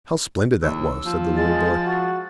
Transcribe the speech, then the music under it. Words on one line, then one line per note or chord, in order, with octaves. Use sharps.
"How splendid that was!" said the little boy.
D#2 E6
F3
G#3 A6
F#4